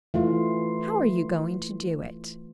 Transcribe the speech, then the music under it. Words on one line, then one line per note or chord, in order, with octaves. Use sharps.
"How are you going to do it?"
E3 A3 F4